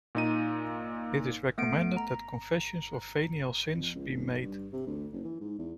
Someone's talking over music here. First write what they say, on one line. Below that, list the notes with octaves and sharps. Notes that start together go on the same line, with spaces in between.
It is recommended that confession of venial sins be made.
A#2 D#4 D#7
A3 B3 D7
A#5
F2
C#2
D#1
B1
G2
C3
D2
F#1
E3
G#2
E2